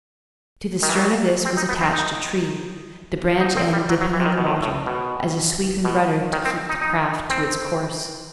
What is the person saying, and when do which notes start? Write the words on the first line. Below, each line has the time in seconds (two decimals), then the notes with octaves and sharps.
To the stern of this was attached a tree, the branch end dipping in the water, as a sweep and rudder to keep the craft to its course.
0.82 D#3
0.89 E3
0.96 F#3
1.45 C4
1.57 D#4
1.69 B3
1.81 C4
1.93 D#4
3.40 D#4
3.57 C4
3.73 G3
3.89 F#3
4.01 F#3
4.13 E3
4.20 C3
4.26 D#3
4.38 B2
4.47 A2
4.63 A2
4.86 B2
5.85 B2
6.33 D#3
6.45 C4
6.69 D#4
6.81 D#4
7.30 C4